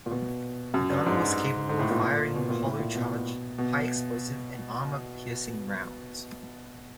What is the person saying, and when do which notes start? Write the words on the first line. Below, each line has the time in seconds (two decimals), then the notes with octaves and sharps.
The gun was capable of firing hollow charge, high explosive, and armour piercing rounds.
0.06 A#2
0.11 B2
0.74 F#2
0.90 G2
1.06 G#2
1.69 G#2
1.79 A2
1.91 A#2
2.36 B2
2.50 A#2
2.64 A2
2.79 A#2
2.95 B2
3.58 B2